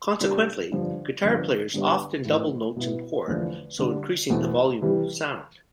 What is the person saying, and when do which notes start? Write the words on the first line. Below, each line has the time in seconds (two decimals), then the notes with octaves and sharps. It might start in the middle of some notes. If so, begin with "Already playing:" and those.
Consequently, guitar players often double notes in chord, so increasing the volume of sound.
0.20 C3 G3 D4
0.72 G2 D3 F3
1.22 G2 D3 F3 B3
1.74 G2 D3 G3 B3 D4
2.25 A2 E3 A3 C4
2.76 B2 B3 E4
3.28 E2 D3 F3 A3 D4
3.79 D3 G3 D4
4.30 E2 B2 A3 C4 E4
4.82 C3 E3 G3